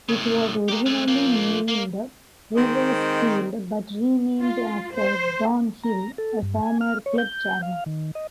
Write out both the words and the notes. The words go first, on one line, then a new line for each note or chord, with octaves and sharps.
It was originally named Riversfield but renamed after Don Hill, a former club chairman.
A2 C#3
G4 A#4
G#3 A3
F3 A#3
A#3
D#3 G#3 C4 C5 D#5
F4
C5
A#5
A4
G2
G#5
F6
C#5
G6
F5
D#3
D#5